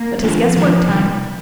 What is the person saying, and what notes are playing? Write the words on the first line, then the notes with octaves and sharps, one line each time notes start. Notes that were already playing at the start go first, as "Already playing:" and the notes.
"But 'tis guesswork time."
Already playing: A#3
D#3 F3 G#3 D4 F4
D#3 G#3 D4 F4
C3 D#3 G3